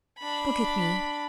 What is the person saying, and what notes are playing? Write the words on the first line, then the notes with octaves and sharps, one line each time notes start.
Look at me.
D4 B5